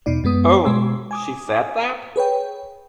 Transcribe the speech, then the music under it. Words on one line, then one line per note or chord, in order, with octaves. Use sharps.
Oh, she said that?
E2 B2 D#4 D5
F#2 G#3 B3 D#6
B2 G#3 C6 E6
G#5 D6 D#6
G#4 B4 C#5 G5